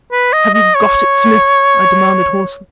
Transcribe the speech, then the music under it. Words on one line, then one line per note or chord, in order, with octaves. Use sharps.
"Have you got it, Smith?" I demanded hoarsely.
B4
D#5
D#5
C#5